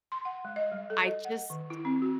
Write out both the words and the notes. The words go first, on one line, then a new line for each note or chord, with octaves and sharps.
I just
C6
F#5
G#3
D#5
G3
A4
D#5
F#5
D#3
E4
C4
F#4